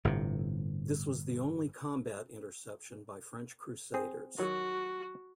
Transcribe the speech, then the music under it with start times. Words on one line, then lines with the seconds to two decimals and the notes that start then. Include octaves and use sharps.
This was the only combat interception by French Crusaders.
0.05 G1 A2 C3
3.94 C4 G#4
4.38 D#3 F#3 F#4